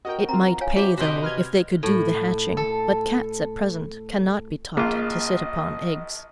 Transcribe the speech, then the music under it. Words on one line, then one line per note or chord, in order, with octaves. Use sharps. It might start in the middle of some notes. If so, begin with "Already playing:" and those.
It might pay, though, if they could do the hatching; but cats at present cannot be taught to sit upon eggs.
F#4 A#4 D#5 G5
C4 F4 A#5
C#5 F5 G#5
E4 F#4 G4 C5 D6
C3 F#4 D#5 C6 G6 B6 D7
B4 F6 G#6
A2
A4
A#1 A#3 F4 G#4 D#5